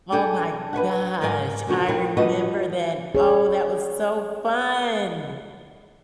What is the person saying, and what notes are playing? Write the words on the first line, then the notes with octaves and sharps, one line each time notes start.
Oh my gosh! I remember then. Oh, that was so fun!
D4 G#4 A4 E5 G5
B4 C#5 E5 F#5
G#2 A#4 D5 F5 G5 G#5
B2 D3 F3 F#4
F3 C4 E4 A#4
F3 G3 F#4 B4 D#5
G#4 C#5